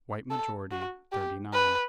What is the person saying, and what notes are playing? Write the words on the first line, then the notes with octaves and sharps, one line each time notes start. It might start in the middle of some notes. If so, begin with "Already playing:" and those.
White majority, thirty-nine.
A4
F#4
G4
B4